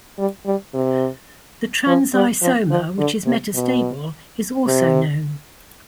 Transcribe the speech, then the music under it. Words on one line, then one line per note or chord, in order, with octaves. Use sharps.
The trans isomer, which is metastable, is also known.
G3
G3
C3
F3
G3
F3
F3
D3
C3
B2
C3